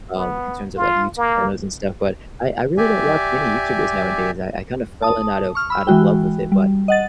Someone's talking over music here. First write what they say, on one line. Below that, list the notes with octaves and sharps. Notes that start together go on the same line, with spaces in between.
um, in terms of, like, YouTube channels and stuff, but I I really don't watch many YouTubers nowadays. I I kind of fell in out of out of love with it, but,
B3
F4
A#3
G4 D5 E5 G#5
A5 D#6
C#6 F6
B5 E6
E3 G#3 F#4 G5
G3
D#5 F#5 A6